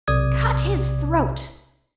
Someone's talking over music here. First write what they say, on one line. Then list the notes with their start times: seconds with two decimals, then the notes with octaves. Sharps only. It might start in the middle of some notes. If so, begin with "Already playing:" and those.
"Cut his throat."
0.08 B1 C3 D5 D#6 G#6